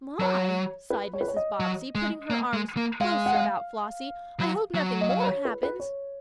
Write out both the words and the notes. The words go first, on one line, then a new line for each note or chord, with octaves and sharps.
"My!" sighed Mrs. Bobbsey, putting her arms closer about Flossie, "I hope nothing more happens."
F#3 C#5
B4
C#5
B4
C#5
D#5
F#3
G#3
A#3
G#3
A#3
G#3 F5
F#5
F5
F#3
F#3
D#5
F5
C#5
B4
B4
C#5